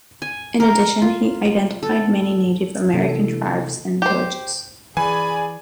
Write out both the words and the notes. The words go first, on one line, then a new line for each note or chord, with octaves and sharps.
In addition, he identified many Native American tribes and villages.
G#5
A#4
F4
A4
C3 E3 A#3 D4 E4 A4
G4 C5
E3 G#4 D5 G#5 B5